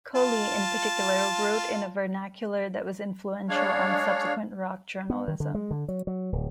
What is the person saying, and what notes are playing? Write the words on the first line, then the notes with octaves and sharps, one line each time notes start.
Coley in particular wrote in a vernacular that was influential on subsequent rock journalism.
F4 A5
G#3 D4 C#5 F5
B3
D#3
D3
G#3
D3
F#3
F#3
D1